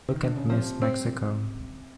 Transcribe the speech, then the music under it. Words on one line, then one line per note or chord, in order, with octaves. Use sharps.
Look at Miss Mexico.
D#3
D3
C#3
C3 F3
C4